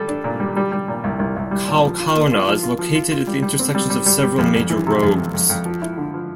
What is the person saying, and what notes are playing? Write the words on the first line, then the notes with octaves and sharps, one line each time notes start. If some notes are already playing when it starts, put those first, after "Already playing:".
Kaukauna is located at the intersections of several major roads.
Already playing: G3 A4
D4
A#2
G3
G3
G3
A#2
C2
C2
C2
G3
A#2
F3
F4
A#3
F4
F3
F4
F3
F4
F4
G3
G3
C4
G3
G3
G3
G3
F2
F2
E3
C3
F2
F2
F2
F2
F3
E4
D3
F3